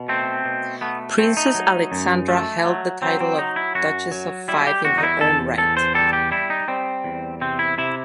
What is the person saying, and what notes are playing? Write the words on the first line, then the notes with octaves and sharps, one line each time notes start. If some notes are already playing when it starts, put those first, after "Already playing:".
Princess Alexandra held the title of Duchess of Fife in her own right.
Already playing: B2
A3 C4
B2
A3 B3
A3 C4
D#4
F#3
F#2
A3
F#3
F#3 C4
C4
F#3 D#4
E4
F#2 F#4
F#3
G3 E4
G4
E2 F#4
D#4
E4
E2 A4
E2 A4
C5
G3 A4
G4
G3 E4
D#4
G3 C4
E2
C3 C4
E4
C3 E4